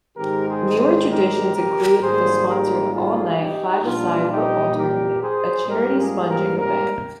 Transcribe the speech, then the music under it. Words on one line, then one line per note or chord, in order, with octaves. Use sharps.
Newer traditions include the sponsored all night five-a-side football tournament, a "charity sponging" event.
G#2 D#3 G#3 C4 G4 A#4
G#4 C5
G#4 C5
G4 A#4
G4 A#4
G#1 G#2 G3 A#3 G#4 C5
G4 A#4
F4 G#4
D#4 G4
A#1 A#2 G3 D4 F4
D#4 G4
G4 A#4
G#4 C5
G#2 G3 A#3 G4 A#4
F4 G#4
G4 A#4
G4 A#4